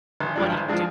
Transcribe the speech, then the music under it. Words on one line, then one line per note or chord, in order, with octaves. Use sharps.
what do you,
G#1
G2 F3 G#3 D4
G#1
F3 G#3 D4